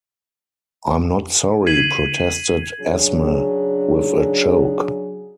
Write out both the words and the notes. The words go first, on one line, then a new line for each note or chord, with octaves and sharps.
"I'm not sorry," protested Esme, with a choke.
G#6 B6 C7 D#7 F#7
C#3 F#3 D4 G#4